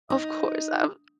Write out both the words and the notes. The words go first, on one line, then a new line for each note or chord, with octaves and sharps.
of course, um
D#4